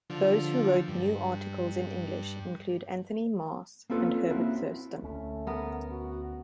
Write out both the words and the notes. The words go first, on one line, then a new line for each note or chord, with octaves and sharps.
Those who wrote new articles in English include Anthony Maas and Herbert Thurston.
D3 F3
G2
A#3 C4 C#4 F4 A4 B4
A#3 C4 C#4 E4 F#4
D2 A3 C#4
B3 A#4
F#4